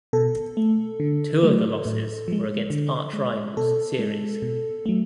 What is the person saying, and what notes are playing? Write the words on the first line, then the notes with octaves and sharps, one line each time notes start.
Two of the losses were against archrivals Ceres.
B2 A4
A3
D3
F#3 A3
A2
F3 G#3
D3
G#3
B2 A4
G#3
B2
F#3 A3